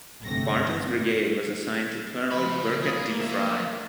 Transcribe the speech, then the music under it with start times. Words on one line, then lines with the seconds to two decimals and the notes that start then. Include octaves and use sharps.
Barton's brigade was assigned to Colonel Birkett D. Fry.
0.23 G1 G#2 C3 A3 A#6
2.32 C#3 F3 B5
2.83 A#3 G#4
3.20 F3 E5